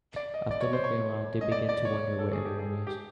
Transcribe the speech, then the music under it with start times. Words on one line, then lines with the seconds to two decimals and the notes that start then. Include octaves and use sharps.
After looking around, they begin to wonder where everyone is.
0.16 D5
0.34 D#5
0.51 D5
0.61 C#5
0.73 C5
0.84 C#5
1.41 D#5
1.52 D5
1.69 D5
1.85 C#5
2.19 A4
2.32 G#4
2.45 G4
2.59 G#4
2.87 G4